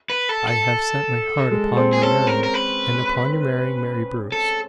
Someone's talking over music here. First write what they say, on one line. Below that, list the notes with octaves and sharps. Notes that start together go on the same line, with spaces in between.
I have set my heart upon your marrying, and upon your marrying Mary Bruce.
B4
A4
A4
G#3
C4
G#4
C#4 A4
A#4
A#4
B4
A4